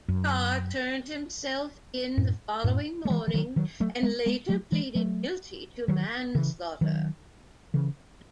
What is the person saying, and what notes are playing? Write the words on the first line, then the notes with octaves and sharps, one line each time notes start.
Carr turned himself in the following morning and later pleaded guilty to manslaughter.
F#2
F#2 A2
F#2 A2
A3
E3 G#3
E3
D#3 F#3
D#3 F#3
F#3 A3
G#3 B3
G#3 B3
F#3 A3
E3 G#3
F#3 A3
D#3 F#3
C#3 E3
D#3 F#3
C#3 E3